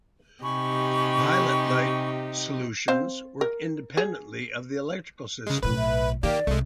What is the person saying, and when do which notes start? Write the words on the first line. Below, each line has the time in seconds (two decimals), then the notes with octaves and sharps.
Pilot light solutions work independently of the electrical system.
0.44 C3 D#4 G4 G#5 B5 C#6
2.88 C4 C5 F5
3.41 A#4
3.97 G#4
5.47 C#3 G#3
5.63 B1 A2 B4
5.78 E5
6.23 D#3 A#3 G4 D5
6.47 C2 G#3 A3